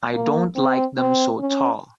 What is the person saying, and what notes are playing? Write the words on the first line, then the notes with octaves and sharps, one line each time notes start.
I don't like them so tall.
A#3
C4
C4
C#4